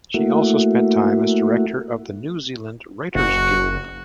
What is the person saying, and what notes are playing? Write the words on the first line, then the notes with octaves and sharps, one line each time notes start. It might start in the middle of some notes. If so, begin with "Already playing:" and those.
She also spent time as director of the New Zealand Writers Guild.
A3 A#3 E4 F#4
F#1 F#4